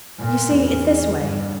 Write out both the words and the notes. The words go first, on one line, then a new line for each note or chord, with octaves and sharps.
You see it's this way.
A#2
E2
G2